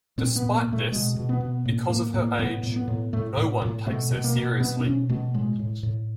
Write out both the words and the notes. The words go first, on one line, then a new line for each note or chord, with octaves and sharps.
Despite this, because of her age, no one takes her seriously.
A#2 C4
B3
A#2
A#3
A#2
A3
B2 G#3
B2
B3
B2
A2 A#3
A2 A#3
A2 A#3
A2 B3
A2
B3
A2
A2 A3
A2
A2
B2 A3
B2
A#3
B2
B2 B3
D4
B2 C#4
B2 A3
A2 G#3
A2
A2